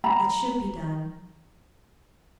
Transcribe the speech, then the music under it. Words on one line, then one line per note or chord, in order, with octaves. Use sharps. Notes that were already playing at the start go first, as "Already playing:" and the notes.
It should be done!
A#5 B5